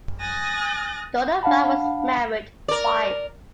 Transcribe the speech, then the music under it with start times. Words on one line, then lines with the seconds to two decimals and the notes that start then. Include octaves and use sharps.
Donovan was married twice.
0.20 G#5 D#6 F#6 A6 A#6
1.43 D4 F5 F#5 A5 B5
2.68 A#4 D5